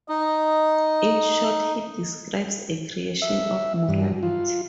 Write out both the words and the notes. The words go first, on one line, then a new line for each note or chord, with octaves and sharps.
In short, he describes a creation of morality.
D#4 D#5
E5
G2
F4